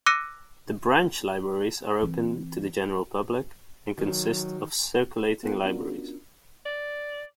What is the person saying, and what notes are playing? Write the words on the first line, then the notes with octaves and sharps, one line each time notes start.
The branch libraries are open to the general public and consist of circulating libraries.
D6 E6 F#6 A#6 C#7 D#7
E3 C4
D#3 F#3
B3 F4 A4 A#4 F#5 G5
B3 C#4 D4 F4 F#4 A#4
D5